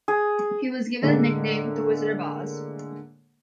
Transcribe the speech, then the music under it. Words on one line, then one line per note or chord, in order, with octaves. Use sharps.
He was given the nickname "the Wizard of Os".
G#4
A2 D3 G#3 A#3